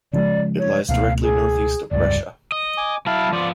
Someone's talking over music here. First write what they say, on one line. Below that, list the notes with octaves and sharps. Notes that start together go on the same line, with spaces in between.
It lies directly northeast of Brescia.
C#3 F3 G#3 D5
C#5
C#2 B2 A3 F5
G#4
F1 C#2 G2 D5
D#5
G#5 D6
F#3 E4 F5 A5 B5
F3 B3 F4 D5